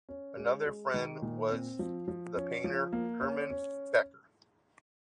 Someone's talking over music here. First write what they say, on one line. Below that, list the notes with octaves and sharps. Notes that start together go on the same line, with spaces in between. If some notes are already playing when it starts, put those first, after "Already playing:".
Another friend was the painter Hermann Becker.
C#4
G#3
G#3
D#3
A#2
C4
F3
F3
C#4
F3
A#3
C#4
C#4